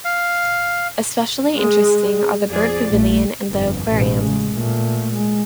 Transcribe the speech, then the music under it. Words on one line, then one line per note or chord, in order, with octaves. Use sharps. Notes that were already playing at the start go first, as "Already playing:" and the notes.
Especially interesting are the bird pavilion and the aquarium.
F5
G#3
F2 G#4 D5
A#1 A3
G1 F2
A1 B2
C#3 G#3
A#2 A3
G#3